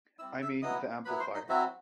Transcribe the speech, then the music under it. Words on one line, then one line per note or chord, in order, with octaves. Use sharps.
I mean, the amplifier.
G3 C4 E4 E6
E5 E6
F#3 B3 E4 D#5 D#6
F#3 B3 E4 B4 B5
C5 C6
D#4 D#5
F#3 C4 E4 F#4 E5